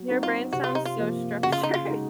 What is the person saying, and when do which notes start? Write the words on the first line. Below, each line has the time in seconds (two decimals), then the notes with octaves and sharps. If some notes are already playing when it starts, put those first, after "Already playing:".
Your brain sounds so structured. I
Already playing: F#3
0.08 C4 D#4 F#4
0.23 F4
0.53 C3 F#4
0.64 F4
0.75 D#4
0.85 F4
0.98 F3 A#3
1.43 C#3 F#4
1.52 F4
1.63 D#4
1.74 F4
1.88 G#3 D#4 F#4